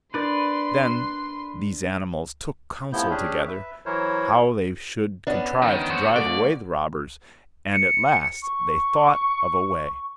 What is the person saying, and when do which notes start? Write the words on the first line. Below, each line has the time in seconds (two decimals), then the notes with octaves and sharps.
Then these animals took counsel together how they should contrive to drive away the robbers, and at last they thought of a way.
0.14 D4 A#4 B4 D5 C6
2.93 A2 C3 F3 B3 E4 G6
3.10 C#4 D4 G4 G#4
3.48 B4 E5
3.86 E3 F#3 E4 A#4 C5 C#5
5.27 B3 C#4 D4
5.62 D#3
5.90 F#4 C5
6.16 D3 F3 A3 D5
7.73 C#7
8.42 C#6